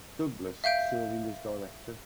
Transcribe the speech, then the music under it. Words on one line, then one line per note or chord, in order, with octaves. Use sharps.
Douglass serving as Director.
E5 F5 G6 D7